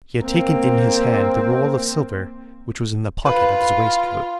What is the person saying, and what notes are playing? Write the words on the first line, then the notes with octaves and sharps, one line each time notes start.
He had taken in his hand the roll of silver which was in the pocket of his waistcoat.
A#3 C4
F4 B4